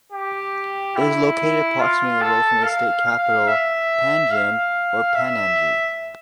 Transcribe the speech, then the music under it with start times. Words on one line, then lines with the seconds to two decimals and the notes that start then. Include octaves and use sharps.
It is located approximately away from the State capital Panjim or Panaji.
0.12 G4
0.96 E4
1.80 F4
2.22 A4
2.64 F5
3.06 F5
3.48 E5
4.31 F5
5.15 E5